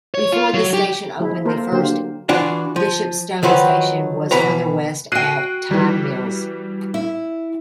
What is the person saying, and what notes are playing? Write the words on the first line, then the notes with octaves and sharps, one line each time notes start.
Before this station opened the first Bishopstone station was further west at Tide Mills.
C#5
F4
F#3
G4
F3 G#3 E4
A#3 F4 A4 A#4 C5
D3 F#3 A#3 F4 G4 C5
E3 D4 F4 F#4
F3
D#3 F3 F#3 F#4 B4
B2 E3 B4 A#5
F#4 G5 F#6 C7 D#7
E3 G3
E4